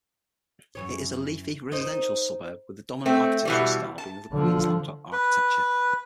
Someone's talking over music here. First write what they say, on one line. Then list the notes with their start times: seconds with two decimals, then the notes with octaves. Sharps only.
It is a leafy, residential suburb with the dominant architectural style being "Queenslander" architecture.
0.75 F#2 E3 C#5
1.72 D#4 A#4 C5
3.06 A3 C4
3.45 B2 E3 G3
3.98 A5
4.32 D3 F3
5.13 B4